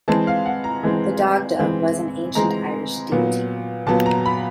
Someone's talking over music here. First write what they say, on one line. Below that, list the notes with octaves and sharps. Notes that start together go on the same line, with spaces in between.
The Dagda was an ancient Irish deity.
E3 G#3 C4 A5
F5
F#5
A#5
E3 G#3 C4
E3 G#3 C4
E3 G#3 C4 A#5
A#2 F#3 B3
A#2 F#3 B3 A5
A#5
B5